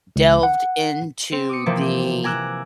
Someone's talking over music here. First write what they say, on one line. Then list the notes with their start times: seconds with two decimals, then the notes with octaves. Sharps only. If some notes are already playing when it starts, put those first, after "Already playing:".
delved into the
0.16 C#2
0.43 F#5
1.32 C4
1.49 D6 D#6 C#7
1.66 C3 E3 F3 A#3 C4
2.24 G#5 A#5 D6 E6 F#6